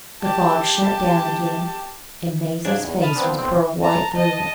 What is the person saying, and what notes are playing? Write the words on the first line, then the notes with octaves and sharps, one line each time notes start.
The fog shut down again, and Maisie's face was pearl-white through it.
G4 A5
G#2 C#3 D4 G#6
E2
A5 B5 D#6 F6
F3 B3 C4 D4
B1 C4
A5 A#5
D#5 A5